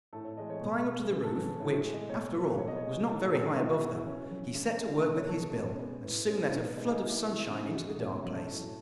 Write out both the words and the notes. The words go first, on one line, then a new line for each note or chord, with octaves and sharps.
And flying up to the roof,--which, after all, was not very high above them--he set to work with his bill, and soon let a flood of sunshine into the dark place.
A2 A4
C#5
E3 G#3 D#5
C#5
B2
G#3
C#3 B4
A4
F#3 G#4
A2 C#5
G#3
D#5
B2 C#5
F#3 B4
B2 C#5
D#5
C#5
G#3
A2 A4
G#3 F#4
B2 E4
F#4
G#3 E4
C#3 C#4
F#3
C#3
E3 G#3
B2 D#4
C#5
F#3 A4
G#4
B2 C#4
G#3 B3
A2 B3
G#3 C#4
E4
B2 D#4
B4
G#3 D#5
G#4
B2 E4
G#3 E4
C#3 D#4
E4
E3 G#3 F#4
G#4
B2 C#4
C#4
F#3 F#4
A4
A2